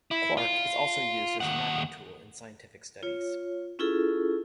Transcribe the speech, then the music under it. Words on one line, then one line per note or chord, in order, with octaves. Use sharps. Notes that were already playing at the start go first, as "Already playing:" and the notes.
QuArK is also used as a mapping tool in scientific studies.
E4
F4
D#2 F#5
F4 C#5
C#4 E4 F4 G#4 A4